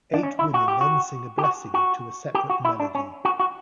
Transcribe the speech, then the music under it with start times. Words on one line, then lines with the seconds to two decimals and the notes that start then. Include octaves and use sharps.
Eight women then sing a blessing to a separate melody.
0.13 D4
0.23 C#4
0.39 E4
0.54 F#4
0.68 G4
0.81 F#4
1.38 G4
1.44 F#4
1.74 F#4
2.35 G4
2.50 F#4
2.65 E4
2.80 D4
2.95 C#4
3.25 F#4
3.40 F#4